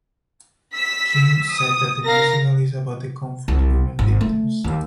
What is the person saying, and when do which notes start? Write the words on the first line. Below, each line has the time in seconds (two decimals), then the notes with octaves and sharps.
Kim said that the musical is about the comfort women victims.
0.74 E6 B6
1.51 D#6
2.06 A#4 F5 A#6
3.48 C2
3.99 G#1
4.21 A3
4.64 D#2